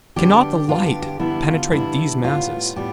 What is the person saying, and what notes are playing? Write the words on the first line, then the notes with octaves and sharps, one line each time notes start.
Cannot the light penetrate these masses?
D3 G3 B3 D4 G4
D3 G3 B3 D4 F4
G4
G4
D3 G3 B3 D4 E4
F4
D3 G3 B3 D4 E4
A2 G3 B3 F4
A2 G3 B3 G4